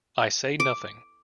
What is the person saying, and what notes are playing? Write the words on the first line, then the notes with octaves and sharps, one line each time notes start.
I say nothing.
D6